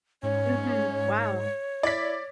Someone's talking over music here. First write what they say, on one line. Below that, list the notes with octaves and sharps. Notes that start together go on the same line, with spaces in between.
Mhm. Wow.
G#2 C#4 C#5
E4 D5 B6